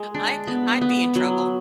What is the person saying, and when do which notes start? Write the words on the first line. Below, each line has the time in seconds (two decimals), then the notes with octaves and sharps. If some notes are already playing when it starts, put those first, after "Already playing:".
I'd I'd be in trouble.
Already playing: G#3
0.14 D4
0.47 B3
0.81 B3
1.16 F#3